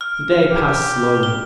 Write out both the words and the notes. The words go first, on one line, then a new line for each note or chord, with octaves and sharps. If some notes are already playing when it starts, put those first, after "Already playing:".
The day passed slowly.
F6
G4
G7